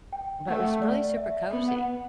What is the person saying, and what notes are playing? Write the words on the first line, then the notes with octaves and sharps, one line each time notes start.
but, it was really super cozy
G5
A3 F#5
D5
E5
B3
F#5